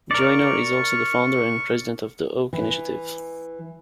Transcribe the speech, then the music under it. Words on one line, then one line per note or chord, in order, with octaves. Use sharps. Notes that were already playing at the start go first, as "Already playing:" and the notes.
Joyner is also the founder and president of the Oak Initiative.
A#4 D5 C#6
E3